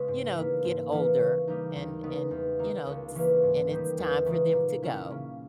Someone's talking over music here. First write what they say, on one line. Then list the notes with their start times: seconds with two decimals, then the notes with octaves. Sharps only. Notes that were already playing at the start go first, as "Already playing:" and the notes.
you know, get older, and, and you know, just, and it's time for them to go,
Already playing: C#3 G#3 B3
0.08 G#2
0.36 E3 A#3 E4
0.64 G#2
0.92 E3 A#3 E4
1.19 C#3
1.48 G3 A#3 D#4
1.76 D#2
2.03 C#3 G#3 B3 D#4
2.31 E2
2.59 D#3 A#3 D#4
2.87 C#2
3.15 C#3 E3 A#3 E4
3.43 G#2
3.71 D#3 G3 B3
3.98 E2
4.25 C#3 E3 G#3 D#4
4.54 A#2
4.83 A#3 C#4 E4
5.10 C#3